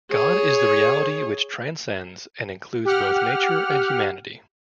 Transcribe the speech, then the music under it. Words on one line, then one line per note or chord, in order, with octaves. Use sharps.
God is the reality which transcends and includes both nature and humanity.
G#4 C#5
G4 F#5 F6